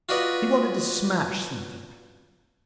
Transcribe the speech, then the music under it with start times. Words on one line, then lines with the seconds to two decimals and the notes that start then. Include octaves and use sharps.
He wanted to smash something.
0.09 F4 F#4 B4 D5 D#5